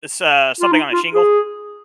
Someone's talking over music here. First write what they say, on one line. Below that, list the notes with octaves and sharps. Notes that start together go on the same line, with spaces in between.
it's, uh, something on a shingle.
F4
D#4
F4
G#4